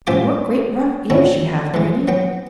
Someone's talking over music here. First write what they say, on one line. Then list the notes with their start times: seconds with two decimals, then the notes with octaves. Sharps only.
"And what great rough ears you have, Grannie!"
0.07 A1 F4 C5 E5 G#5 D6
1.10 D3 C4 C#4 E4
1.74 E3 G#3
2.08 F#3 B3 G5